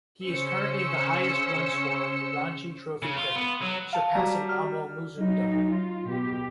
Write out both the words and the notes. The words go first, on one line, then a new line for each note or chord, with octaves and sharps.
He is currently the highest run-scorer in Ranji Trophy cricket, surpassing Amol Muzumdar.
C#3 C#4 C5 E6 C#7
C#3
F4
B3
F#3
F5 A5
F#3 G3 A#5
F6
F#3 D#4
F4
B2 G4